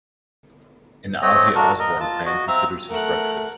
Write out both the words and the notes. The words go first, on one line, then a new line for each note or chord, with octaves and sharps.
An Ozzy Osbourne fan considers his breakfast.
A3 C4 C#5 D#5
D4 F#4 A4 A#4
A#4 D#5
F4 A5
F#4 D#5
C4 E5 F5 A#5
A3 A#4 F#5 F#6